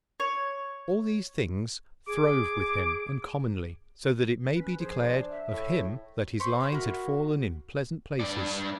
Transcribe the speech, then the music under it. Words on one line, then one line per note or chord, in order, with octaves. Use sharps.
All these things throve with him uncommonly, so that it may be declared of him that his lines had fallen in pleasant places.
C#5
G#4 D6
C#4 B4
F3 G#4 C5
D4
E5
A2
C5 B5 C#6
D4 G4 B5
A#3 E4 F#4
G2 D5